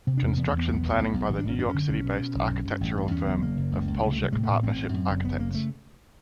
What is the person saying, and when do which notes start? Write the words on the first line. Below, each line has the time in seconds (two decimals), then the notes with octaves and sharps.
Construction planning by the New York City-based architectural firm of Polshek Partnership Architects.
0.07 C3 C4
0.17 D4
0.22 E2
0.27 C#4
0.37 E2 B3
0.47 A#3
0.52 E2
0.58 B3
0.68 B1 B3
0.83 B1
0.98 B1
1.14 B1
1.28 G#1
1.39 D4
1.44 G#1 C#4
1.59 F#2 D4
1.69 C#4
1.74 D3
1.89 B1 C#4
2.04 B2
2.20 B2
2.35 B1
2.50 G2
2.65 G2
2.81 A1
2.96 G2
3.11 E2 C#4
3.26 F#1 B3
3.42 C#3 A#3
3.57 F#1
3.72 C#2
3.87 C#2
4.02 C3 A3
4.13 A3
4.17 C3
4.23 G3
4.33 A2 G#3
4.43 A3
4.48 A2
4.53 B3
4.63 A1 C4
4.78 A2
4.94 F#2
5.09 F#1
5.24 F#1 B3
5.39 C#3 A#3
5.54 A3